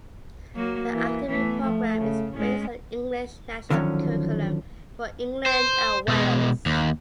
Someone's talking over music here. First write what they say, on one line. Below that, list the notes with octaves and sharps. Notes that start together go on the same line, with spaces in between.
The academic programme is based on the English National Curriculum for England and Wales.
F#3 A#3 F#4
E3 A#3
E3 A3 B3
F3 A3
C#3
A2 G#3 C#4
D3 D#3 F3 F#3 C#4
C5
B2 G#3
D#2